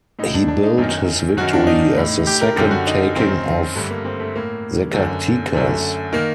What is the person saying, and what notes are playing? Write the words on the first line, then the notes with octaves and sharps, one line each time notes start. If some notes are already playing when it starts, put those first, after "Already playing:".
He billed his victory as the second taking of Zacatecas.
A2 D#4
D4
D4
D#4
F#2 D#3
F#2 D#3 F#4
D4
D#4
A2
G4
A#4
F#2 D3 G4
F#4
D#4
F#2 D#3 C4
G2 D3 A3
A#3
C4
A3
A2 A#3
F#2 D3
F#2 D3 A3
D#3 A#3